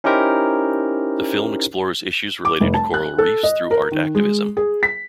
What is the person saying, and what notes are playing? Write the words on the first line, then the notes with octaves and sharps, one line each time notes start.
The film explores issues related to coral reefs through art activism.
C#4 D#4 E4 G4 A#4 C5
D6
F1
A5
F#6
A4
D#5
A#4
D#3
G#3
G#4
B6